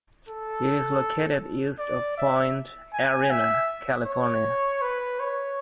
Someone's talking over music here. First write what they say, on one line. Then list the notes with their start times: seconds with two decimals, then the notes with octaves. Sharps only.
It is located east of Point Arena, California.
0.28 A4
1.79 D5
2.18 E5
2.93 G#5
3.30 E5
4.06 C#5
4.82 B4
5.20 C#5